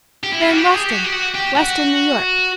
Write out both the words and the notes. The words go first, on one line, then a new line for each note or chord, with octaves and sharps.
"They're in Weston--Weston, New York."
G4
E4
F4
F#4
G4
G#4
G4
F#4
G4
F#4
G4
F#4